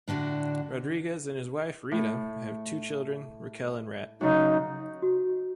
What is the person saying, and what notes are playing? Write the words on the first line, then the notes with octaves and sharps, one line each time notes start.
Rodriguez and his wife, Rita, have two children, Raquel and Rhett.
A2 D3 D4 F#4
A2
F#2 C#3 D#4
F#4